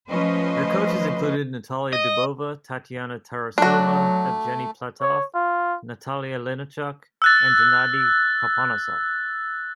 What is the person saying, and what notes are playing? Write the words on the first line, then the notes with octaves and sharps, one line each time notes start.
Their coaches included Natalia Dubova, Tatiana Tarasova, Evgeni Platov, Natalia Linichuk and Gennadi Karponosov.
F3 A3 C#4 B4 C5 D#5
D#5
F#3 A3 D4 F#4
C#5
F4
E6 F#6 A6